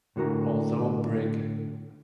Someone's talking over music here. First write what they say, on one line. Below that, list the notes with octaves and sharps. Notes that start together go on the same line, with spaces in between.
Although Brig.
A2 D3 F#4 A#4 A#5